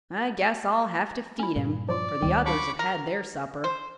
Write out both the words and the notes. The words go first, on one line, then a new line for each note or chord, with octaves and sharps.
"I guess I'll have to feed him, for the others have had their supper."
C#4 E4
G2 A#2
F3 F#3 F4 D5
D6
D2 D#3 G3 C4
F#3 D4 F5 B5 C#6 D6
A#4
C5